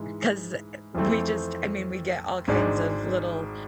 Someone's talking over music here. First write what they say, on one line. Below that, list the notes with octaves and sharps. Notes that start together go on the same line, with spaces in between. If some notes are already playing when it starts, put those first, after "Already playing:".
'cause, eh, eh, we just I mean, we get all kinds of little,
Already playing: G#2 E3 G#3
F2 E3 A3 C4
G#1 G#2 G#3 D4